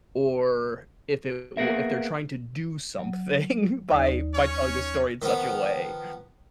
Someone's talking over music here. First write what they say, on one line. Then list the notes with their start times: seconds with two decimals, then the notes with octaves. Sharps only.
or if it wa if they're trying to do something by by telling the story in such a way.
1.57 A#3 B3 G#4 A#4 E5
2.99 F#3
3.91 D#2 D#4 D5
4.34 C#4 C#5
5.22 D#3 F3 B3